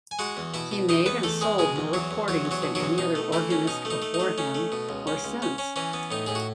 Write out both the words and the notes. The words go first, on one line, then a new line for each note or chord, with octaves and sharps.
He made and sold more recordings than any other organist before him, or since.
G#5
G#3 F#4 F#5
E2
B2 E4 E5
B2
E2 D#4 D#5
E2 B3 B4
E2 A3 A4
E2 G#3 G#4
B2 G#3 G#4
E2
E2 F#3 F#4
E2
E2 F#3 F#4
E2
F#3 F#4
B2
F#3 F#4
E2
B2 D#4
A3
E3 A3 E4
C#4
B2 D#4
A3
D#4
A3
D#4
A3
C#4
A3
B2
C#2
C#4
C#2
C#4
C#4
E3 C#4
B3
A2 D#4
A2 G#4
F#4